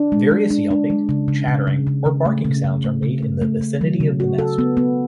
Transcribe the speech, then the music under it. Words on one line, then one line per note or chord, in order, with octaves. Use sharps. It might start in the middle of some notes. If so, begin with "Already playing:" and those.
Various yelping, chattering or barking sounds are made in the vicinity of the nest.
Already playing: D4
G#3
G#3
D4
D4
G#3
C#3
C#3
C#3
C#3
C#3
C#3
A3
C#3
C#3
A3
C#3
A3
A3
A3
F#3
C#3
F#4
A4
B3
B3